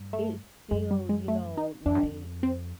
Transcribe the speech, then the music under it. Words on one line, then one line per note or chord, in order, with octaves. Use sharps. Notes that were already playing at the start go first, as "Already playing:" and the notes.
it still, you know, like,
Already playing: G2
A3
F#2 G#3
G3
G#3
A3
D#4
F2 D4
F#2
F2
C4